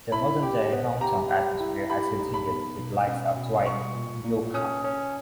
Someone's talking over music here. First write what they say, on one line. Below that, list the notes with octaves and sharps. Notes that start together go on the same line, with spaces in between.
The modern-day, honk-tonk atmosphere has continued, with likes of Dwight Yoakam.
E4 B5
G4
B3
G4 A#5
G4
E4
G4 B5
D#4
B5
B3
B2
C#4
B2
G3 C#6
A#2
A#2
C#4 D#6
C#4